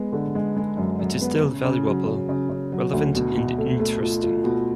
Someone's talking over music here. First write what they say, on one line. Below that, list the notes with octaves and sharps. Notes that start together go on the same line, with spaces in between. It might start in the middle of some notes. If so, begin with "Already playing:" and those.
It is still valuable, relevant and interesting.
Already playing: G#3 B3
D3
G#3
G#3
F#2
F#2
B3
C#3
C#3
F#3
C#3
C#3
C#3
F#3
D2
B2
B2
A3
A3
F4
F4
B2